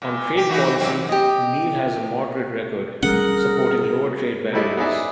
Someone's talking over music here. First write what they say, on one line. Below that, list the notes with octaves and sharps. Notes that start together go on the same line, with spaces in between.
On trade policy, Neal has a moderate record, supporting lower trade barriers.
A#2
G4
E3 D#4 F#4
F#2 A#2 C4
G4 D#5
G3 A3 C#4 G#4 A#4 F#5
F#3 G3 A3 E4 D5 D#5
B3 D#4 G#4 D5 E5